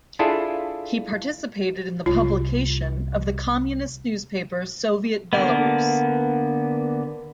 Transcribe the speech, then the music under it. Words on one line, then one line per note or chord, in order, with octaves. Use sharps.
He participated in the publication of the communist newspaper "Soviet Belarus".
D4 E4 F4 G#4 A4
C2 F4
D3 A#3 B3